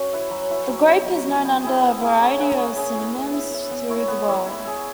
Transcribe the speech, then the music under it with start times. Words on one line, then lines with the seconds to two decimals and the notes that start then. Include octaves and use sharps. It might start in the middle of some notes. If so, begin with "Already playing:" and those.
The grape is known under a variety of synonyms through the world.
Already playing: C#4 F#4
0.13 E4 B4 E5
0.31 F#3
0.50 E4 B4 E5
0.68 F#3
0.88 B3 F#4
1.06 F#3
1.26 B3 F#4
1.45 B3
1.63 E4 G#4
1.82 B3
2.01 E4 G#4
2.20 C#4
2.39 G#4 B4 E5
2.58 C#4
2.76 G#4 B4 E5
2.95 E4
3.14 B4 E5
3.33 E4
3.51 B4 E5
3.71 B3
3.90 E4 C#5 E5
4.08 B3
4.27 E4 C#5 E5
4.46 E4
4.65 G#4 E5